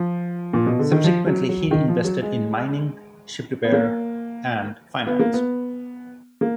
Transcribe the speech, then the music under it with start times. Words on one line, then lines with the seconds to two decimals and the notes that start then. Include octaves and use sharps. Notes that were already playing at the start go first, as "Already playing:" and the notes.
Subsequently he invested in mining, ship repair, and finance.
Already playing: F3
0.53 A#2
0.66 B2
0.79 D3
0.92 D#3
1.04 F3
1.26 F#3
1.49 F#3
1.71 D#3
1.88 F3
2.04 F#3
2.22 G#3
3.64 B3
3.72 A#3
5.07 B3
5.19 A#3
5.34 B3
6.41 A#3